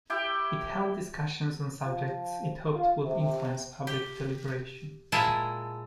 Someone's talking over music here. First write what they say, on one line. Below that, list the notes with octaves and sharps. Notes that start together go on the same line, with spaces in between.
It held discussions on subjects it hoped would influence public deliberation.
E4 G4 G5
F3
F4
C3
G4
A#2 G#3 E4 A#4 G#5 A5